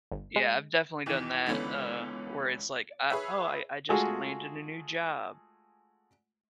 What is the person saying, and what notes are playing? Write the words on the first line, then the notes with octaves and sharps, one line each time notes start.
Yeah. I've definitely done that, uh, where it's like, "Ah, oh, I I just landed a new job,"
G1
G#3
E2 D#3 E3
C#2 D3 E3 B3 C#4
G#4 B4 C#5 E5
G#3 A3 F4 F#4 G#4